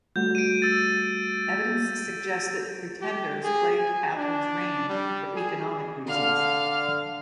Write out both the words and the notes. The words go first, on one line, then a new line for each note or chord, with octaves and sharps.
Evidence suggests that pretenders plagued Catherine's reign for economic reasons.
G3 A3 F#4 G6
D7 D#7
E6 A6
G4
G#4
G#5
D4
G3
G#4
D3 F5 F6